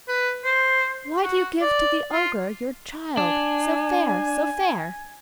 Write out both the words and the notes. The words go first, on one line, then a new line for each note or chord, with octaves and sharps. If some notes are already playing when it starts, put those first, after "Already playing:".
Why do you give to the ogre Your child, so fair, so fair?
B4
C5
F#4
D5
F4
D4 G#5